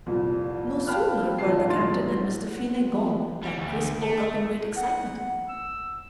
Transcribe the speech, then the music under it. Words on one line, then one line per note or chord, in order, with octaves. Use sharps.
No sooner were the Captain and Mr. Finney gone than Chris spoke up in great excitement.
C2 F2 A#2
F5 G5 A5 B5 F6 F#6
G#1 C#3 F3 D#5 A5 C7
D#1 A#1 A2 F#3 C6 A6
F#5
F3 G3 B3 C4
G3
D2
A3
F#5
E6